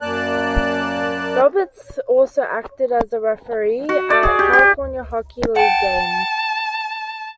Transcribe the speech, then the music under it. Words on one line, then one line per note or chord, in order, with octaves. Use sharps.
Roberts also acted as a referee at California Hockey League games.
F#2 A#3 D5 A5 F#6
F#4
D5
G#4
G4
G4
F#5 G5 A5